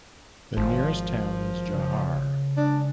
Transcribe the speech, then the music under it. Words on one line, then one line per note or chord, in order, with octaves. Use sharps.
The nearest town is Jawhar.
G#1 F3
C#3
G#3 D4